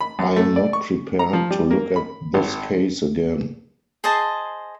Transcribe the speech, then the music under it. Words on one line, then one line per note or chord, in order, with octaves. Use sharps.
I am not prepared to look at this case again.
B5
F#2
A3
D5
C#6
A#5
F3
G3
A#3
B5
G#1
G#4 C5 D#5 A5